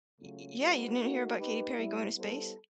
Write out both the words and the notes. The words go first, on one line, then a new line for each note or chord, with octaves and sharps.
Y y yeah, you didn't hear about Katy Perry going to space?
C#3 F#3 A3 C#4 F4
G#3 C4 D#4 F#4 B4
A#3 D#4 F#4 A4
A#3 D#4 G4 B4
G3 B3 E4
G3 B3 E4 A4 C5